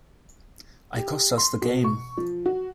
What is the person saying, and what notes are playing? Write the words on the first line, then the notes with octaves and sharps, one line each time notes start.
I cost us the game.
G4
C6
B2
C#6
F3
F#4